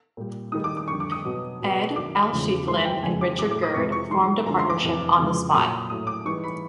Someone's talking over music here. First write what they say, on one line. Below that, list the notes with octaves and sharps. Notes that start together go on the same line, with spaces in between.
Ed, Al Schieffelin and Richard Gird formed a partnership on the spot.
A#2 G3
G#2 D#3 G3 D#6
D6
D6
F2 D3 G3 C#6
D6
D#6
B2 F#3
B2 F#3
F#2 D#3 F#3 D6
E2 C#3 F3 G#3
F#2 D#3 G#3 C6
G5
F2 C#3 E3 G#3 G#5
D6
F#3 D6
A2
D6
D#6
F2 C3 F3 G#3 C#6
C#6
G#2 F3 G#3 C6
F#2 D3 F3 G#3 A#5
C6
D6
F2 C3 E3
F2 C#3 F3 G#3
A#2 F#3 D#6
A2 F#3 D#6
D6
G#2 E3 G3 C#6
B5